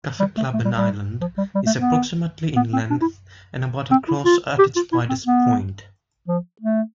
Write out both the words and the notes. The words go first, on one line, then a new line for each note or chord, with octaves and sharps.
Kaffeklubben Island is approximately in length, and about across at its widest point.
G3
A3
A3
G3
G3
F3
G3
G3
A3
B3
B3
C4
D4
E4
C4
E4
F4
G4
F4
E4
C4
B3
F3
A3